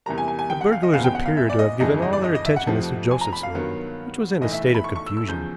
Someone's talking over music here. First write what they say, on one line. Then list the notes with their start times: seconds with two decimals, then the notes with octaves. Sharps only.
The burglars appeared to have given all their attention to Sir Joseph's room, which was in a state of confusion.
0.06 E2 C3 E3 G3 A#3 A#5
0.18 G#5
0.28 G#5
0.39 G#5
0.50 G5
0.61 F#5
0.72 F5
0.83 D#5
0.93 F#1 E2 C#3 F#3 B3 F5
1.04 G5
1.15 F#5
1.26 F5
1.37 E5
1.50 D5
1.59 D#5
1.80 G1 F2 C#3 E3 G#3 D#5
2.02 D#5
2.13 D5
2.24 D#5
2.35 D#5
2.46 E5
2.56 F#5
2.67 F2 C3 F3 A3 C4
3.11 G#5
3.21 A#5
3.33 B5
3.43 F5
3.54 G2 D#3 F#3 B3
4.41 B1 A2 E3 A3 D#5
4.53 E5
4.75 B5
4.84 C#6
4.96 C#6
5.06 E6
5.17 E6
5.28 E2 C#3 F3 G6